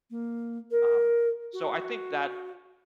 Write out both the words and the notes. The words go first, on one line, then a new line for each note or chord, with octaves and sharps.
Um, so, I think that
A#3
A#4
F#4